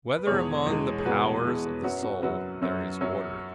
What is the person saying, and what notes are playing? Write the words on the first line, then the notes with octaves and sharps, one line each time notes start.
Whether Among the Powers of the Soul There Is Order?
B4
E2 B2 G#3 G#4 C#5
E2 B2 G#3
G#4
E2 B2 G#3 F#4 B4
E2 B2 G#3
F#2 F#3 C#4 F#4 B4
C#4 F#4
F#2 F#3 C#4 F#4 B4
F#2 F#3 C#4
F#2 F#3 C#4